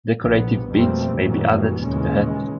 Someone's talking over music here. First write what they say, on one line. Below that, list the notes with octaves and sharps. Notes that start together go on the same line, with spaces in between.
Decorative beads may be added to the head.
A#1 C3 B3
F2 B2 G3 A3 A#3 C4
F#2 A#2 D#3 E3 F#3 G3
D#2 A#2 C#3 E3 G#3 C#4